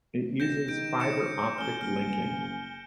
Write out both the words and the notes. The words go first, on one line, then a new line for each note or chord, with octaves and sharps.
It uses fiber optic linking.
E1 G6 A#6 E7
D#3 G6 D7
C#7 E7
A1 G#5 F6 G7
F#1 F6